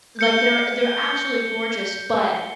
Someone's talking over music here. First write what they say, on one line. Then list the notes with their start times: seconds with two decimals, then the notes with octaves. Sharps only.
Like, they're they're absolutely gorgeous, but
0.19 G6 C#7 G7